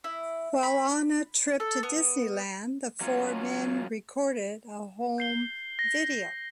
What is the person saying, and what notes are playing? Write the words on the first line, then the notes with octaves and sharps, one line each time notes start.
While on a trip to Disneyland, the four men recorded a home video.
E4
B5
A4
B3
F#3 A#3 C#4 F4
G6 C7 G7
A#6